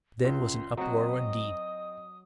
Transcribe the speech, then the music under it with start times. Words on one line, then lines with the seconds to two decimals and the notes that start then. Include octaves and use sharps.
Then was an uproar indeed.
0.24 C#2 C6
0.77 F#3 C4 F#4 D#5 D#6